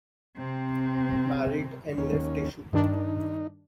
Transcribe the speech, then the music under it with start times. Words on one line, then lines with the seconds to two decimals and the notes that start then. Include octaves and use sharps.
Married and left issue.
0.37 C3 C4
1.98 D#2 C#4
2.73 G2 D#3 D4 D#4